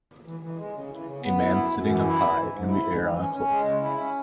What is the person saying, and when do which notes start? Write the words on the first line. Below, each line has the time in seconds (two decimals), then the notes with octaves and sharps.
A man sitting up high in the air on a cliff.
0.25 E3
0.40 E3
0.57 G#3
0.73 C#3
0.89 E3
1.05 C#3
1.22 B3
1.38 E4
1.54 F#2
1.71 F#2
1.87 E3
2.03 E4
2.19 E3
2.35 G#2
2.52 G#2
2.68 E4
2.84 G#2
3.01 E3
3.17 C#4
3.33 C#4
3.49 G#3
3.65 C#3
3.82 E4
3.98 C#4